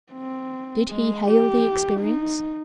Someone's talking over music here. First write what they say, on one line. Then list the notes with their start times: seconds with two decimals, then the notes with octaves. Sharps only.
Did he hail the experience?
0.12 C4
0.89 G#3
1.28 G4
2.00 D#4